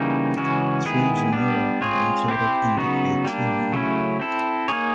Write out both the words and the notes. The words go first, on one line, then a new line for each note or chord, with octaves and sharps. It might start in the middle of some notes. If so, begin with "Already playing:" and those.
Three genera are included in the Aythyini.
Already playing: C#3 E3 G3 A#3 D#4
C#3 E3 G#3 C#4 F#4
D#3 G#3 B3 E4 G#4
G3 B3 D4
G#3 C4 F4 G#4 C#5
C4 E4 G4 C5
C#3 F#3 B3 D#4 F#4
G3 A#3 D4
C#3 F#3 A3 C#4 E4
C4 E4 A4
A#3 D#4 G#4 C#5